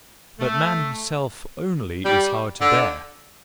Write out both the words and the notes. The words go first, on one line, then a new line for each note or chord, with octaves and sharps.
But man himself only is hard to bear!
A3
G3
D3